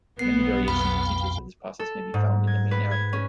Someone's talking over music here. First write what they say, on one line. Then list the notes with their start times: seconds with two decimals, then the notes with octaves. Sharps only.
Many variations and details of this process may be found in the main article.
0.19 B1 B3 C7
0.68 F2 F5 G5 B5
1.79 A4
2.14 G#2
2.47 G#6
2.71 B4
2.91 G#6
3.13 C#4